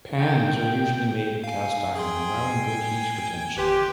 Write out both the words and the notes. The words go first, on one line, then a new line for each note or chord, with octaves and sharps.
Pans are usually made of cast iron, allowing good heat retention.
G5
F5 G#5
G#4 G5 G#5 C6
C7
G1 G4 B4 C6